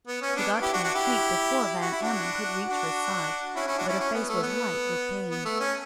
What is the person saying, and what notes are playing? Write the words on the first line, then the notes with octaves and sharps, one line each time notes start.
She got to her feet before Van Emmon could reach her side, but her face was white with pain.
B3
C#4
B3 D4
E4 G4
D4 F#4
D4 F#4
E4 G4
F#4
E4
D4 F#4
D4 F#4
C#4 E4
C#4 E4
D4 F#4
C#4 E4
C#4
B3
A3
B3
B3
A3
C#4